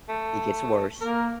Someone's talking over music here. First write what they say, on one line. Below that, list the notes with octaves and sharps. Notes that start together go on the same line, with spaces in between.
It gets worse,
A3
A#3 A#4